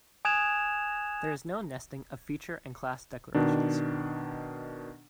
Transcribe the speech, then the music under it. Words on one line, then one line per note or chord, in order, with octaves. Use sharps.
There is no nesting of feature and class declarations.
G#5 D#6 F#6 G#6 E7 F7
B2 D#3 D4